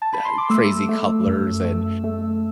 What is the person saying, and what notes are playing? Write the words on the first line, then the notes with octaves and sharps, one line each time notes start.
the crazy colors and
A5
B5
C6
D6
A3 E6
A3
F#2
A3
A3